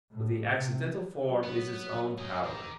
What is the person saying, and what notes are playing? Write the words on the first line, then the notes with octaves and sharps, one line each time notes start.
But the accidental form is its own power.
A2
C3
F#3
B3
C#4 D#5
D#3 A#5 D6